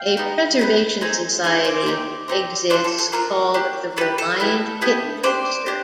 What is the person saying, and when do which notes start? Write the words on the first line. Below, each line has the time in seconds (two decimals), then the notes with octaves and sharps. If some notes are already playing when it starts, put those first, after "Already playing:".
A "Preservation Society" exists called the Reliant Kitten Register.
Already playing: F5 G5
0.17 B3 D#4 G4
0.59 B3 D#4 G4
1.01 C4 D#4 G#4
1.44 C4 D#4 G#4
1.65 C5 D5
1.86 C4 D#4 G4
2.28 C4 D#4 G4
2.70 D4 F4 A4 C5 D5
2.84 A4
2.99 A4
3.12 D4 F4 A4 A#4
3.54 D4 G4
3.97 D4 A4 B4
4.01 G4
4.18 A4
4.40 B3 E4 G4
4.81 B3 E4 G4
5.23 D4 G4 C5 D5
5.66 D4 G4